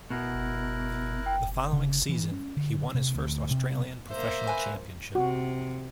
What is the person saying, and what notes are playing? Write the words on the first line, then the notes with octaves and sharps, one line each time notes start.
The following season he won his first Australian Professional Championship.
B2 E4 A#4 F#6
G5
C#3
E3
C#4
D3
C3
D2
C3
A#3 C5 E5
B4 G#5
C3 F#4